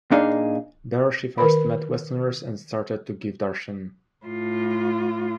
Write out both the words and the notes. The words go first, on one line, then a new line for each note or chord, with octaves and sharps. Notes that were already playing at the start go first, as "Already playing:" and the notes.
There she first met Westerners and started to give Darshan.
A#2 D4 D#4 G#4 F5
D#3 A#4 B4 B5
A2 F4